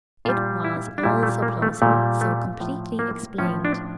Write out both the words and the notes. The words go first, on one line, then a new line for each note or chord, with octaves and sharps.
It was all so plausible--so completely explained.
A#2 G3 F4
E4
D4
A#2 G3 E4
A3
A#3
A3
A#2 G3 A3
A3
A2 F3
A#3
A2 F3 C#4
D4